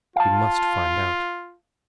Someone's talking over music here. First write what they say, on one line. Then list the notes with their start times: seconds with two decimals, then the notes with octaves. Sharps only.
He must find out.
0.16 F4 F5 A5